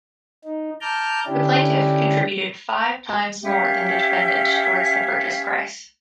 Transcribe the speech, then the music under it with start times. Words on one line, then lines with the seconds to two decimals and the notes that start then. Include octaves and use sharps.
The plaintiff contributed five times more than the defendant toward the purchase price.
0.44 D#4
0.81 A5 A#5 D6 F6 G6
1.26 D3 C#4 D4 E4 G4
3.43 C#4 G4 E5 F5